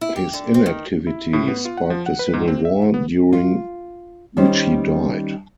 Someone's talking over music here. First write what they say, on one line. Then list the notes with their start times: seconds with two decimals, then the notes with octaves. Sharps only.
His inactivity sparked a civil war, during which he died.
0.01 E4
0.16 G4
0.33 D3
0.54 C4
0.66 D#3
1.07 E4
1.33 A2
1.48 B3
1.65 F4
1.77 F#5
1.90 F3
2.06 F#5
2.19 B4
2.33 G#2
2.48 C4
2.65 E5
2.94 B3
3.33 F4
4.37 D#3 G3 C#4 C5